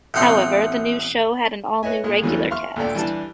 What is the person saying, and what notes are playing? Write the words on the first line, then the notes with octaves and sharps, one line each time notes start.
However, the new show had an all-new regular cast.
A1 B2 A3 C4 C5
B4 C#5 D#5 E5 G#5
A#2 G#3
E2 D3 E3 F#3 G3 A3
E5 F5 C6 C#6 F6
D2 A#2 A4 D5 G5
E3 G3 D4 A5